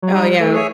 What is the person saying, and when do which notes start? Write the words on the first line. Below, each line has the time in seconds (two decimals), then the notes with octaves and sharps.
Oh, yeah.
0.02 F#3
0.13 G3 D#4
0.40 A3
0.53 G#4 C#5 E5 G#5